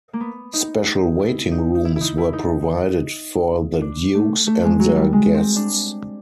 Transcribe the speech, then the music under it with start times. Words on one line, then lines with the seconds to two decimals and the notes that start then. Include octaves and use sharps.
Special waiting rooms were provided for the dukes and their guests.
0.13 A#3
0.20 B3
0.53 D#4
0.86 D#4
1.19 E4
1.52 D#4
1.75 D#4
1.85 E4
1.96 D#4 E4
2.18 E4
2.33 D#4
3.81 D4
4.14 A3
4.47 A3
4.64 G#3
4.79 F#3
4.96 G3
5.13 G#3
5.34 C4
5.56 D4